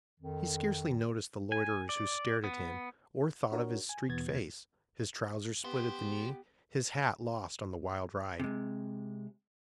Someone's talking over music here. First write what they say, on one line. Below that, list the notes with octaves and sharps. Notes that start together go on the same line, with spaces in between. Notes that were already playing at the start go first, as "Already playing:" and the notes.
He scarcely noticed the loiterers who stared at him, or thought of his streaked face, his trousers split at the knee, his hat lost on the wild ride.
F2 D#3
G#5
D5
B3
D4 F#4 A#4 C#5
G#5
E2 B2 B3 G#6 A6
F3 B3 G4 C5
C3 G#3